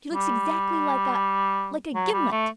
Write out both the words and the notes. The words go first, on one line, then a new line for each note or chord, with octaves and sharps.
"She looks exactly like a--like a gimlet."
G3
F#3
G3
A3